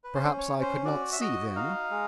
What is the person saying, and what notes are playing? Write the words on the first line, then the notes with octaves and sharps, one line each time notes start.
Perhaps I could not see then.
B4
C#4 C5
C#5
C#4
C5
F#4 D5
E5
F#4 D#5
D#4 F5
G#3